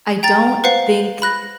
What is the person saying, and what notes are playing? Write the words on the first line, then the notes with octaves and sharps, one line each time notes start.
I don't think
G5 A#5 A6
B4 C5 F5 F#5 C7
B5 F#6 A#6